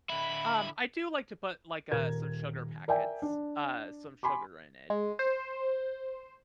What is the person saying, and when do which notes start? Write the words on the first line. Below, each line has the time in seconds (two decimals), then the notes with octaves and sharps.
Um, I do like to put, like, uh, some sugar packets, uh, some sugar in it, so,
0.10 D3 E4 B5
1.91 D#1 A#4 G#6
2.88 A#4 D5 E5 G5 G#5
3.22 D4
4.23 G#5 B5 C6 D6
4.90 G#3
5.19 C5